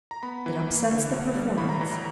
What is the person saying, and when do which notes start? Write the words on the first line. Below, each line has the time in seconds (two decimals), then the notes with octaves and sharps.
It upsets the performance.'
0.11 A#5
0.23 B3 B5
0.46 E3
0.68 A#3
0.91 D3
1.13 B2
1.35 G3
1.58 A2 B5
1.69 A#5
1.81 E3 A#5
1.92 A#5